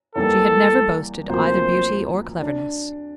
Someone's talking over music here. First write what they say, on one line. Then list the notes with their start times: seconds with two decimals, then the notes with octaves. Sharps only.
She had never boasted either beauty or cleverness.
0.15 E2 E3 G3 A#3 A4
1.29 D2 C3 F3 A#3 C5
2.42 D4